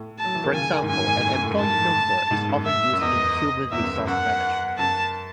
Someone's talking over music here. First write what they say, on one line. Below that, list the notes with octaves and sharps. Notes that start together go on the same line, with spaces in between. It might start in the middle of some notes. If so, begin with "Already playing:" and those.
For example, an "employee number" is often used in human resource management.
Already playing: A2
A5
F#3
E3
D#3
C#3 G#5
D#3
G#2
F#2 G#5
G#2
A2
F#2
A2
F#2
G#2 A5
G#2
F#2
E5
F#2
E2 D#5
E2 E5
F#2
F#2
F#2 F#5
F#2 A5